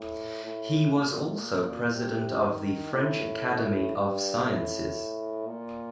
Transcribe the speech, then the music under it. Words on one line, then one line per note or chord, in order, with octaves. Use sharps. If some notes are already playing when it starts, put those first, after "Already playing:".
He was also president of the French Academy of Sciences.
Already playing: A2
A2
A#2
C3
D#3
A2
G2
A2
A#2